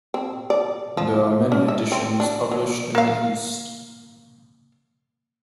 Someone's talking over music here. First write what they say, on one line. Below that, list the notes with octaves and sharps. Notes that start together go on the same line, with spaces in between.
There are many editions published in the East.
C4
D5
F3
C#4
E5
C4
D4
F#3
A#3 F5